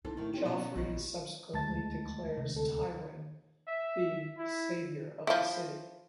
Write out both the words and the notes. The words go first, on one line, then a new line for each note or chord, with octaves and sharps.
Joffrey subsequently declares Tywin the "Savior of the City".
C4 D#4 E4 A4
A2 D#3
C4 C#4 G4
B2 F#3 C#4
A#1 D#3 F#3 G3
D2 G#3 A3 A5 A6
C3
D2 A4
E5
E4
F3 E4